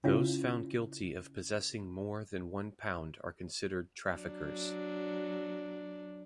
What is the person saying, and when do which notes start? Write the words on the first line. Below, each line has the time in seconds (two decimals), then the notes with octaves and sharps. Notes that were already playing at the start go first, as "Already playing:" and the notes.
Those found guilty of possessing more than one pound are considered traffickers.
0.04 C#3 C#4 E4 F4
4.13 F#3 D4